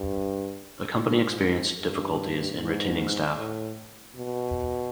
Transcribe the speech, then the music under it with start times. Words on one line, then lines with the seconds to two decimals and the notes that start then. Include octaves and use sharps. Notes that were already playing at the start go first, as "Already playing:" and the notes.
The company experienced difficulties in retaining staff.
Already playing: G2
1.01 G#2
1.79 G2
2.58 G#2
3.37 A2
4.16 B2